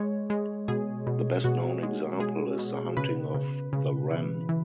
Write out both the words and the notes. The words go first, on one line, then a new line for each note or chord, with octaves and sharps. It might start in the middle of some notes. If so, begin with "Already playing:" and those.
The best known example is the hunting of the wren.
Already playing: G#3 C#5
G#3
B2 G#4
B2
B2 F#4
G#3
G#3 G#4
B2
C#3 B4
C#3
C#3
E3
E3